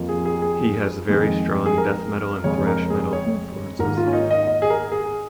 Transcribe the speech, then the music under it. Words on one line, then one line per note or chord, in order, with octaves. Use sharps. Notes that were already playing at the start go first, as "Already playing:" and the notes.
He has very strong death metal and thrash metal influences.
Already playing: F2 F3 A#3
G#4
G#4
G#4
F2 D#3 G#3
G#4
A#4
F2 C#3 G#3 C#5
A#4
G#4
C#5
G#2 D#3 A#3 A#4
F4
C#4
D#4
D#5
D#5
G#4
A#4
G#4